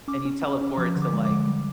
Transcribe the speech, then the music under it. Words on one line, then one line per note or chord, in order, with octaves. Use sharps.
and you teleport to, like
C#4 D6
C#4
C#4
C#4
F3 D6
D3
D6
G#3
D6
D3
G3